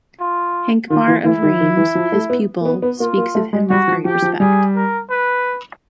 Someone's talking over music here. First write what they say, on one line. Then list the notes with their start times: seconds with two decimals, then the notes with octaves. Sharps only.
Hincmar of Reims, his pupil, speaks of him with great respect.
0.20 F4
0.90 D#3 F4
1.08 E3
1.25 E3 E4
1.42 D#3
1.60 D#3
1.77 E3
1.95 F3
2.12 A3
2.30 B3
2.61 A#3
2.65 B3
2.82 B3
3.00 A#3 F4
3.18 A#3
3.35 A3
3.53 G#3
3.70 G3 F#4
3.88 F3
4.05 F3 G4
4.22 F3
4.40 G3 G#4
4.75 A#4
5.10 B4